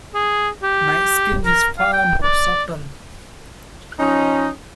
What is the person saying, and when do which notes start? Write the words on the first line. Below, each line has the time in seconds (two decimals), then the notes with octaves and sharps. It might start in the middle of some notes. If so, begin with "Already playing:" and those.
My scheme is far more subtle.
0.14 G#4
0.63 G4
1.45 A#4
1.78 F5
1.93 G5
2.23 D5
3.98 F3 C#4 D#4